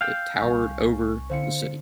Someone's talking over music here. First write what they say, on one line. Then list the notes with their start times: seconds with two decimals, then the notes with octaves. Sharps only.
It towered over the city.
0.01 F5 G5 D6 E6 F#6
0.41 C2 D#4 G#5 C#6
1.29 D3 C4 E4 C5 F5 C#7